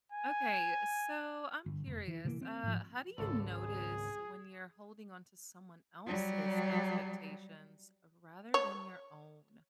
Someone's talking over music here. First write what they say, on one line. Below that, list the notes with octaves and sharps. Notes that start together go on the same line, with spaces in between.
Okay. So, I'm curious, uh, how do you notice when you're holding on to someone else's expectations rather than your own?
G#5
G1
F1
E3
C3 E3 F3 A#3
C4
G#2 F3
G#1 C#2 A4
G#4
F#3 G3
C#5